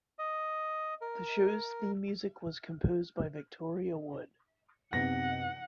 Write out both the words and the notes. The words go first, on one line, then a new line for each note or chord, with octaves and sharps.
The show's theme music was composed by Victoria Wood.
D#5
A#4
F#2 C3 B3 D#4 F#5 A#6